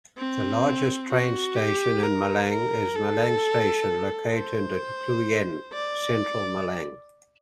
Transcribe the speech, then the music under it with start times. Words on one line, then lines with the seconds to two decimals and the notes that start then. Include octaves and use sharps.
The largest train station in Malang is Malang Station, located in Klojen, Central Malang.
0.18 C4
1.10 F#4
1.56 G4
2.03 A#4
2.50 A#4
2.95 A4
4.34 C5
5.73 D5